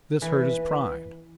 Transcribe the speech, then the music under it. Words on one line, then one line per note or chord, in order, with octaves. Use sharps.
This hurt his pride.
E3 B4